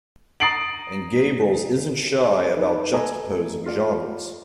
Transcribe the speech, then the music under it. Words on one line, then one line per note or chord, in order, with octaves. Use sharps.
And Gabrels isn't shy about juxtaposing genres.
A#5 D#6 A6 C7 D7 F#7
D#4 A#4 B4
A3 A4 G#5 A#5
A3
F4 D5